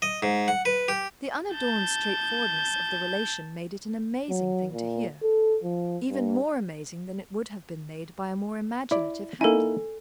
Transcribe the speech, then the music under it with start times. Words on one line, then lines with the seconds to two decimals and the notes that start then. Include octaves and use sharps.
The unadorned straightforwardness of the relation made it an amazing thing to hear, even more amazing than it would have been made by a more imaginative handling.
0.02 D#5
0.23 G#2
0.48 F#5
0.65 B4
0.88 G4
1.54 A5 G6
4.29 F#3
4.73 A#2
5.23 A4
5.63 F3
6.10 G2
8.91 E4 D5
9.41 A#3 D#4 E4 A4 G#5